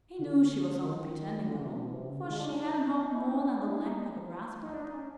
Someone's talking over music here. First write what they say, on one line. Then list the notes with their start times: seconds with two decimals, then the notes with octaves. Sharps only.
He knew she was only pretending, though, for she hadn't hopped more than the length of a grass-blade.
0.19 D3
0.81 D#3
1.45 D3
1.56 C#3
1.66 B2
1.78 B2
1.93 C3
2.09 C#3
2.19 D3
2.30 G#3
2.40 D4
2.51 C#4
2.60 D4
3.04 D#4
3.15 E4
3.25 D#4
3.35 D4
3.47 C#4
3.57 D4
3.67 E4
3.76 D4
3.84 D#4
4.62 D#4
4.73 D4
4.84 D#4
4.94 C#4